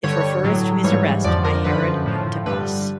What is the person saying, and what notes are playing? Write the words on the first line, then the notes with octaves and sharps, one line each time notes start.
It refers to his arrest by Herod Antipas.
G2 D3 G3 C#5
A2 F#3
G#2 E3 G3 C#5
F2 D3 F3 D5
A#4
F#2 D3 F3 B4
A2 F3
G2 D3 G3 B4